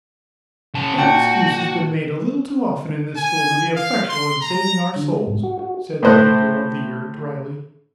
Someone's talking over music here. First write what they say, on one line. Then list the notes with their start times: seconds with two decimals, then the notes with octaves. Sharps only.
"That excuse has been made a little too often in this school to be effectual in saving our souls," said the head girl of the year, drily.
0.75 C#3 A5
0.98 A#2 F#4 G5 A5
3.16 G#5
3.75 F5
4.08 C6
4.41 A#5
4.96 D3
5.12 G#3
5.27 G#2
5.43 F#4
5.59 F#4
6.03 A2 A4 C5 F#6